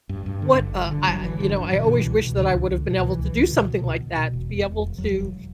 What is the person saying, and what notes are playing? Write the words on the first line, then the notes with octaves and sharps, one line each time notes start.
what, uh, I you know, I always wish that I would've been able to do something like that, to be able to,
G2
G2
D3
G1
G1
D3
G1 F#3
G1 E3
G1 D3
G2 F#3
B2 E3
D3
B2
E3
C#2
B2
C#2 D3
C#2
C#2
B2
C#2 E3
C#2
E3
C#2
D3
B2
B2
C#2
B2
B2
E1
E2
E1
E1
E1 F#3
E1